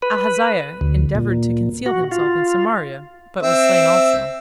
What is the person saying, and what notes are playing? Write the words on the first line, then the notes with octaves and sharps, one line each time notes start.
Ahaziah endeavoured to conceal himself in Samaria, but was slain also.
B4
D2
A#2
F#4
F4
C4 E5